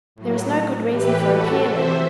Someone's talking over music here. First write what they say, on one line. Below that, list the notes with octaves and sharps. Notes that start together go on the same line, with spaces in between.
There is no good reason for appealing.
A2 F#3
A2 E3 G4 B4
F#4 A4
C3 E3 C5 E5